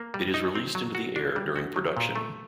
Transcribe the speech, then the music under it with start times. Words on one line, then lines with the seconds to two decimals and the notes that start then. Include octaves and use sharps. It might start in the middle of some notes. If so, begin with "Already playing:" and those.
It is released into the air during production.
Already playing: A#3
0.14 G3
0.34 D#4
0.55 C4
0.75 F#3
0.95 F#4
1.16 D4
1.36 G3
1.56 F#4
1.76 F#3
1.97 A#2
2.16 A3